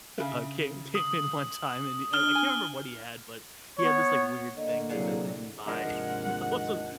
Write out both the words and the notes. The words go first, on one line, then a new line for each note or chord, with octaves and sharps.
uh, came, came in one time and i I can't remember what he had, but he had this like weird thing that that they didn't buy, you know, so
C#3 E5
D#6
D4 F6 G7
G#5
B3 C#5
D3 A#3 D#5
C3 F#3 E4 G#4 D5 F#5
D#2 G#2 C3 F3 G#3 D4 A#4 F#5